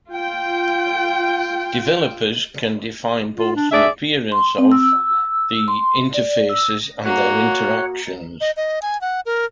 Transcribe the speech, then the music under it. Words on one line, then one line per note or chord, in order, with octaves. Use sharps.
Developers can define both the appearance of the interfaces and their interactions.
F4 G5
F4
D4
D4 G#4 D5 E5
C6
C4
E6
C6
D5
E6
A#3 F#4 C#5 F#5
D#5
D#5
G#5
F#5
A#4